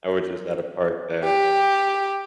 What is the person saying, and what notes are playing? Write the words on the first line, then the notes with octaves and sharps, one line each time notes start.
I was just at a park that
G4